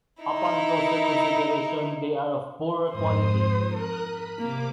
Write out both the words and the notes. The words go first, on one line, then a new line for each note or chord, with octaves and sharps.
Upon closer consideration, they are of poorer quality.
D#4 E4
F2 G#2 C5 D#6
A#4 D#6 F#6
B5
C3 A#3 D6